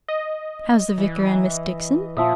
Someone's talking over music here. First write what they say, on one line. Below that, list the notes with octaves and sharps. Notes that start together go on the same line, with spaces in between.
How's the Vicar and Miss Dixon?
D#5
E3
A#2 F3 E5 D#6